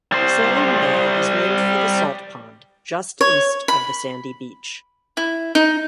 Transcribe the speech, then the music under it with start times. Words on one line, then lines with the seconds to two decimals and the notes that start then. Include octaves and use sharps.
Saline Bay is named for the salt pond just east of the sandy beach.
0.12 G3 C5
3.21 C#5
3.68 B5
5.17 E4
5.55 D#4